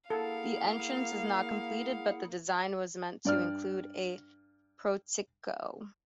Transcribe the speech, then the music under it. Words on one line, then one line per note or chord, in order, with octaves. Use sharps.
The entrance is not completed, but the design was meant to include a portico.
A#3 E4 G#4 A4 F5 F#5
G2 D5 F6